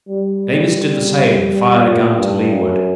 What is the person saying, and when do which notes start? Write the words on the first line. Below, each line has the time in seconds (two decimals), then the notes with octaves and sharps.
Davis did the same, and fired a gun to leeward.
0.09 G3
1.82 A#2
2.17 G2
2.52 F#2